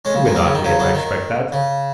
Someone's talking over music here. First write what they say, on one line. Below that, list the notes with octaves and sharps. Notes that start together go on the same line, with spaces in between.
Huguenot name I expect that.
G#3 C#4
C#3
D#3 G#3
F#3 A#3
C#3
D#3
C#3 F#3
C#3 F#3
D#3
C#3